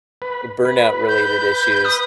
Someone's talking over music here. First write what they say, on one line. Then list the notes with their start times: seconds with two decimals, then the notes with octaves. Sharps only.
burnout related issue,
0.22 B4
0.65 B4
1.08 G6
1.85 D#6